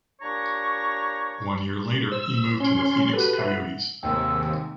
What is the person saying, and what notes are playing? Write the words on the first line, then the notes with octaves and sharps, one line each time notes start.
One year later, he moved to the Phoenix Coyotes.
A#2 D4 G4 C#5 A#5 C#6
C5 E6
C#4 C6
F#4 G4 A4 B4
E5 F#5
D#2 G#2 C3 G#3 G5 E6